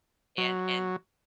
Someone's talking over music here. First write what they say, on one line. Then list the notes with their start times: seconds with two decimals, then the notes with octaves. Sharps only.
and and
0.38 F#3